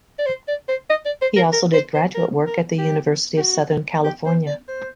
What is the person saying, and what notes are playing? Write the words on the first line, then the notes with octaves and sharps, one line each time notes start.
He also did graduate work at the University of Southern California.
D5
C5
D5
C5
D#5
D5
C5
A#4
A#4
C5
C5
A#4
A#4
G4
G4
F#4
G4
C5
D5
C5